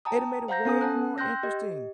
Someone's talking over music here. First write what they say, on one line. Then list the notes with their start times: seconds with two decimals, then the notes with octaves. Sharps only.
it'd a made it way more interesting
0.05 G5 A5 A#5 D#6
0.48 C5 F5 F#5 A#5 G6 A#6
0.65 B3 C#4 A4 G#5 D#6
0.81 C#4 F#5 A5 F#6
1.18 G5 C6 E6 F#6 G6 A#6
1.43 G4 D#5